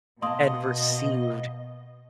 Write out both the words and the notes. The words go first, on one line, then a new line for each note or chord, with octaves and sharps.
and received
B2 A#3 D#5 A5 C6 D#6